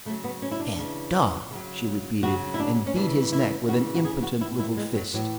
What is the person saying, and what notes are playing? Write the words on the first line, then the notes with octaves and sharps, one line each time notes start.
"Bad dog!" she repeated, and beat his neck with an impotent little fist.
C#3 F#3 A3
B3
C#4
E4
D4
C#3 E3
C#3 F#3
C#3 F#3 F#4
E4
D4
C#4
C#3 E3 D4
E4
C#3 E3 F#4
F#4
G#4
F#4
A2 E3 E4
E4
G#3
F#3
A2 E3 F#3